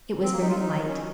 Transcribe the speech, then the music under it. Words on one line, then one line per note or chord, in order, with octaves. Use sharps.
It was very light.
C4
A#3
D#4
F4
D#4
C#4